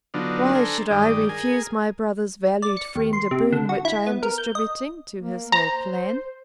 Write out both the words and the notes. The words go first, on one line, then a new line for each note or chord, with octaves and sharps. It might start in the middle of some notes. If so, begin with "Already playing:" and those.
'Why should I refuse my brother's valued friend a boon which I am distributing to his whole clan?
D3 F#3 B3 D4 D#4 F4
D4 A4 C5 G#5 A#5
G2 D#3 G#3 D5 G5 D#6
G#4 A#4 G#5
D5
C#7
D#2
C6
C3
D3
F#4
E4
B3
A#4
G6
D#5
A#3
C5 A#5